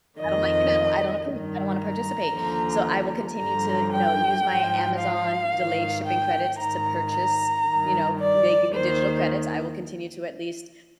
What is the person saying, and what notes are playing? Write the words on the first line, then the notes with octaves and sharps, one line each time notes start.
I don't like it, I don't approve, I don't wanna participate. So, I will continue to, you know, use my Amazon delayed shipping credits to purchase, you know, they give you digital credits. I will continue to at least
F2 D#3 D#5
G2 D#3
A#5
D#2 D3 F3
G2 D3 F3 A#5
G5
G#2 F3
F5
G#2 D#3
G5
G#2 D#3 A#5
A#5
G2 D#3
D5
D#2 D#3 C5